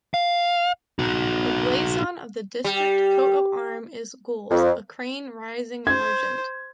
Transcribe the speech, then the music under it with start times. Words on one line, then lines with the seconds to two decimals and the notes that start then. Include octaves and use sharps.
The blazon of the district coat of arms is Gules, a Crane rising Argent.
0.14 F5
0.99 D#4 F#4
2.64 G3
4.50 F2
5.87 C5 G#6